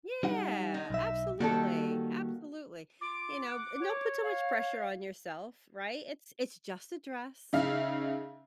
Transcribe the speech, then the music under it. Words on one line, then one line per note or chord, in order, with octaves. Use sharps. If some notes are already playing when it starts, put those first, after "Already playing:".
Yeah, absolutely, absolutely. You know b don't put too much pressure on yourself, right? It's it's just a dress,
G3 D#4 F#5
D#4
B1 E5
D#3 G3 A#3 F#4 A4
F4 D6
F#5
C#5
F5
C#3 D#4 E5 F5